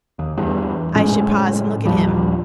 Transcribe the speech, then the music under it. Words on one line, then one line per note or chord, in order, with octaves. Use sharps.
I should pause and look at him.
D#2
E2 G2
F#1 A2 G#3 C#4
A#1 D#2 F3 G3